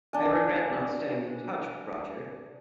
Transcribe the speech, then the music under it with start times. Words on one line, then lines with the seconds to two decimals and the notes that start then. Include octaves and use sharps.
I regret not staying in touch with Roger.
0.13 D4 G#5